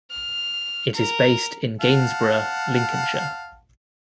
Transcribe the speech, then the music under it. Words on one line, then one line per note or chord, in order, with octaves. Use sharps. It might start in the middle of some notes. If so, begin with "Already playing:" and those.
It is based in Gainsborough, Lincolnshire.
F6
A#4
F5 F#5 A5